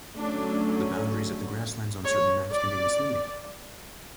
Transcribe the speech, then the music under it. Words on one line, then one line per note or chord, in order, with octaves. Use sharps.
The boundaries of the grasslands on certain maps can be misleading.
D3 F#3 A3 C#4 D4
C#5
D5